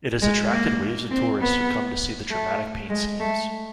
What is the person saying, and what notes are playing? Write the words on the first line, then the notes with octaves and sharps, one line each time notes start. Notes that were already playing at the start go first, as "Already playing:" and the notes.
It has attracted waves of tourists who come to see the dramatic paint schemes.
G#3
A#3
C4
B3
A3
G#3
A3